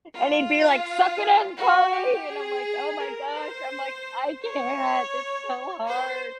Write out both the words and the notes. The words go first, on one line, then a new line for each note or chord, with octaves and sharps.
And he'd be, like, suck it in, Carly, and I'm, like, oh, my gosh. I'm, like, I can't. It's so hard.
F4
F#4
G4
G#4
A#4
C5
C#5
C5